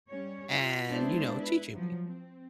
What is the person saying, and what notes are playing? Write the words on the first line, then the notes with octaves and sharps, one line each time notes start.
and, you know, teaching me.
G3 C#4 C#5
F4
G#3 B3 D4 E4 C5
E4 B4
F3 F#3
C4